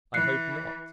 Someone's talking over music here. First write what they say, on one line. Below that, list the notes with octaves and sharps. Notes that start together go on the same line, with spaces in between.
"I hope not."
E3 F#6 C7 C#7